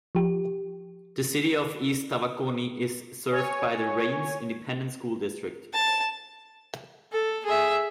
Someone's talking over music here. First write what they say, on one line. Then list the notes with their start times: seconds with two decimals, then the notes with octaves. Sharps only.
The City of East Tawakoni is served by the Rains Independent School District.
0.15 F3 G4
3.31 C#5 G#5
5.73 A5
7.12 A4
7.45 G#4 E5